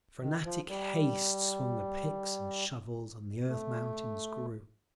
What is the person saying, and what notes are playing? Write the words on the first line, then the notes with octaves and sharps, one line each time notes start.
In frantic haste swung the picks and shovels, and the earth--mountains grew.
D#3
F3
G3
A3